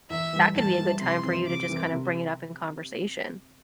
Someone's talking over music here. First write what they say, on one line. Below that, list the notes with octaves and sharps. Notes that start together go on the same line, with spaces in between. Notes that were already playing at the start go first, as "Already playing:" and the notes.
that could be a good time for you to just kind of bring it up in conversation.
E2 E5
E3 G3
E2 A5
E3 G3
C3 C6
E3 C4
C3 D6
E3 C4
C3